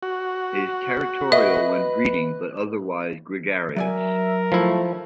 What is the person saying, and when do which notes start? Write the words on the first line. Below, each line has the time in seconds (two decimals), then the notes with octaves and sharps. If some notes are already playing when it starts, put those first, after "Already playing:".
It is territorial when breeding, but otherwise gregarious.
0.03 F#4
1.32 B4 D#5 E5
3.76 F#3 A#4 D5 E5 G#5
4.52 F3 A3 E4